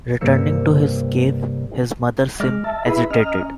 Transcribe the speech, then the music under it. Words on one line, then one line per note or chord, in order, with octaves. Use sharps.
Returning to his cave, his mother seems agitated.
G2 C3 A#3 E6 C#7
G#3 D#5 D6 F6
E5 A5
E4 G#4 B4 E5 B5
C#4 D#5 A#5 F6